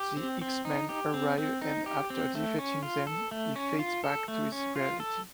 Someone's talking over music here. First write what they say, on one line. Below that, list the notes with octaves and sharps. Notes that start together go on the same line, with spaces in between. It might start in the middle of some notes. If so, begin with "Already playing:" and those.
The X-Men arrive and after defeating them he fades back to his reality.
Already playing: G4
C4
C4
D#4
G4
C4
C4
D#4
G4
C4
A3
C#4
F4
A4
A3
C#4
F4
A4
A3
C#4
F4
A4